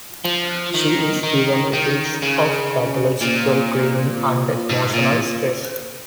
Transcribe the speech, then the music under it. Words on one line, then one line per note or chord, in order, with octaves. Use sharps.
She is given to fits of pathological cleaning under emotional stress.
F3
D#3
D#3
D#3
C#3
A#2
G#2
A#2